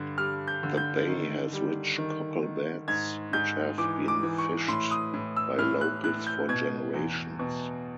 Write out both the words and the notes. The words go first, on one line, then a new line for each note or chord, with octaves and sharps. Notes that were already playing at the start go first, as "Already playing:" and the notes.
The bay has rich cockle beds, which have been fished by locals for generations.
Already playing: G2 D3
G3 F6
G6
D3
G6
D#3
G3
D#3
D#3
G#2 G#6
G#2 G6
E3 D6
D6
E3
C#6
A2 C6
D#6
A2
E6
A2 F6
F#6
A2 F#6
G6
B2 G#6
E2
B2